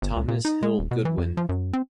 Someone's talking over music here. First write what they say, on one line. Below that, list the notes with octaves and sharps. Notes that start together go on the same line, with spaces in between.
Thomas Hill Goodwin.
G1
C#2
A#2
D#4
G#3
D#1
B2
E3
F2
F3
F#2
C4